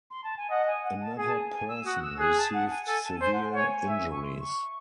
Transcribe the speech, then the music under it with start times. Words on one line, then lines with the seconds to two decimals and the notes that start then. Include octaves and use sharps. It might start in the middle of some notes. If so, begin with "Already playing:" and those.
Another person received severe injuries.
0.10 C6
0.24 A5
0.37 G#5
0.50 D#5 F#5
0.67 G#5
0.84 F#5
1.01 A5
1.18 G#4 G#5
1.27 A5
1.35 G#5
1.52 G#5
1.68 E6
1.86 F#4 D#6
1.96 F#6
2.02 E6
2.19 G#4 F#6
2.36 A5
2.53 F#5
2.70 G#5
2.87 A4 G#5
3.04 A5
3.21 C5 G#5
3.32 F#5
3.44 G#5
3.51 F#5
3.55 C#5 G#5
3.88 E5
4.11 C#6
4.22 C6
4.40 C#6